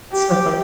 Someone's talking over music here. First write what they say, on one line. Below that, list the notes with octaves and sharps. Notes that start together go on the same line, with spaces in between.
So far.
G4